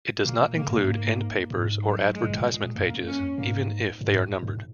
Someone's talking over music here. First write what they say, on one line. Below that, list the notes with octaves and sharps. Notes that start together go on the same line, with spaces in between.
It does not include end papers or advertisement pages, even if they are numbered.
A#2 A#3
C#3 A#3
G#2
G#2
A#3
G#2
F#3
G#3
G#2
A#2
G#3
F#2 A#3
C#4
G#2 A#3
G#2
G#2